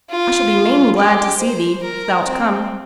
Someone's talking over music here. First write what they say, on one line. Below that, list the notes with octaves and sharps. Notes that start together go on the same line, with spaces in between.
I shall be main glad to see thee; if thou'lt come.
F4
G4
C5
A#4
C4